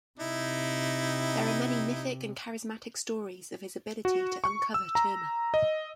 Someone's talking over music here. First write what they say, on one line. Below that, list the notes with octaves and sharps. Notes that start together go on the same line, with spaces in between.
There are many mythic and charismatic stories of his ability to uncover Terma.
C3 D#4 E4
F#4
C#6
E6
A#5
D#5